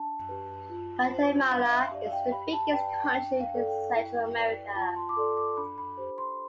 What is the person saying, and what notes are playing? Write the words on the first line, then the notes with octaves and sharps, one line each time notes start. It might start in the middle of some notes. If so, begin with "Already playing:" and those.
Guatemala is the biggest country in Central America.
Already playing: D4 A5
G4 B4
F4
C5
D4 F5
F5
E5
G4 D5
F5
G5
G4 B5
A5
B4 D5 G5
A5
D4 G5
F5
A4 D5
G5
E4
B4 D5
F4 A5
C6
D6
A4 D5 C6
D6
D4 B5
B5
G4 C5
C6